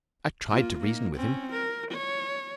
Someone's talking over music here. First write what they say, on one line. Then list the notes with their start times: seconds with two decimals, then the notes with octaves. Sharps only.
I tried to reason with him.
0.50 A#3 F4
0.81 A#3 D#4
1.17 C4 C#4
1.53 A#4
1.91 C#5